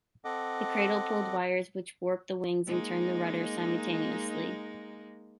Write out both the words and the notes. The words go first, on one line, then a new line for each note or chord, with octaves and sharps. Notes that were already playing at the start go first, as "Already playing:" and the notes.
The cradle pulled wires which warped the wings and turned the rudder simultaneously.
C4 A4 D#5 F#5 D6
G#3 A#3 D#4